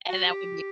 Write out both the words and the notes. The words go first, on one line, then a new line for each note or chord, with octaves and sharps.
And that would be
F#4
G4